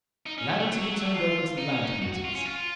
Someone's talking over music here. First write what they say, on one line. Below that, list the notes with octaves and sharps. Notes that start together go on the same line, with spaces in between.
Land to be turned over to the Land Committees.
D#4
C#4
A3
A3
F#3
A3
F#3
A3
F4
D#4
C#4
D#4
F#4
F#4
F4
C#4
F4